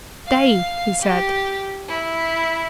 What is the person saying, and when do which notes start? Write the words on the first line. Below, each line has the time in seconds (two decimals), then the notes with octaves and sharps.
"Stay!" he said.
0.26 F5
1.02 G4
1.88 E4